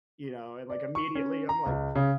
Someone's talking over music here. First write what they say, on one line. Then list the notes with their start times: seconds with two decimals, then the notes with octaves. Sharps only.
you know, and, like, immediately, I'm like
0.70 D5
0.95 C#6
1.15 C#4
1.49 A#5
1.66 C#2
1.95 C#3